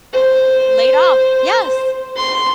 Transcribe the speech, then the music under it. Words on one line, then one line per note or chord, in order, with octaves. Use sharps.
Laid off. Yes.
C5
C6